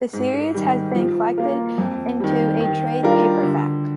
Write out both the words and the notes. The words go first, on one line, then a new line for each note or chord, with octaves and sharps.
The series has been collected into a trade paperback.
G#2
D#3 G3
F3
A#3 F4 A#4
F2
D#3 G3
D#3
G3 D4 F4 A#4
D3